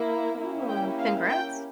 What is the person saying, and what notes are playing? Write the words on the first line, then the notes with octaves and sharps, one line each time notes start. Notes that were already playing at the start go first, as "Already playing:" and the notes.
Ooh, congrats.
Already playing: A#3 E4
A#3 C#4 E4 G4
G5
F5
G5